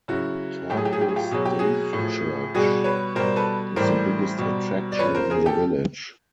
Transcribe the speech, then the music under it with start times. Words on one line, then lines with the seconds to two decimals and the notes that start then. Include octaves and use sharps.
Torpo stave church is the biggest attraction in the village.
0.08 C#3 F#3 E4 F#4
0.70 A2 F#3 G4
0.77 G#4
0.85 G4
0.93 G#4
1.01 G4
1.08 G#4
1.16 F4 G4
1.31 B2 F#3 G#4
1.45 G4
1.59 F#4 G#4
1.93 A2 F3
2.54 B2 G3 F#4 G#4
2.84 B4 C#5
3.15 B2 G3 A#4 C5
3.36 A4 B4
3.76 A2 E3 G3 A#4 C5
4.38 B2 G3
4.92 D5
4.99 C#3 F3 B4 C#5
5.15 A#4 C5
5.30 G#4 A#4
5.46 G4 A4